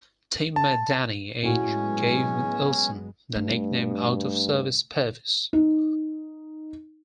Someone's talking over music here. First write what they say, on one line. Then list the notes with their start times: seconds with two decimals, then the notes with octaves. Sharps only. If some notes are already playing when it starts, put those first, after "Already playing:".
Teammate Danny Ainge gave Ellison the nickname Out of Service Pervis.
0.56 A5
1.43 A2 F#3 G#3 B3 C#4 F#4
3.35 G2 A3
5.53 D#4